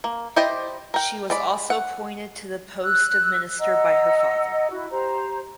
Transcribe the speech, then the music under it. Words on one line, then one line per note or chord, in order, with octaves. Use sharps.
She was also appointed to the post of minister by her father.
A#3
E4 G4 C5 D5 D#5
A#4 G5
G#3 D5 B5
F#5
E6 F#6
D#5 F#5 A#5 E6
E4 F#4
G4 C5 A#5